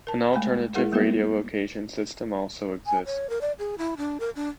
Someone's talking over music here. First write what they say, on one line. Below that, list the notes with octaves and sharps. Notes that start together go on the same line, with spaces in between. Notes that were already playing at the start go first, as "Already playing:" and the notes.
An alternative radio location system also exists.
A#4 A5
G#3 A3 G5 G#5 B5
G#3 E4 G#4 A#4 F#5
G3 A#3 B3 F#4 A#4 E5
G#5
C#5
A#4
D5
G#4
E4
D4
A#4
D4